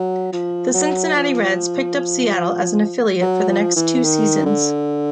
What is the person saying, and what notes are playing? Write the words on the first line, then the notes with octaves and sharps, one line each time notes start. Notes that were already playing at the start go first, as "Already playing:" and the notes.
The Cincinnati Reds picked up Seattle as an affiliate for the next two seasons.
Already playing: F#3
F3
F#3
F3
F#3
F3
E3
D#3
D3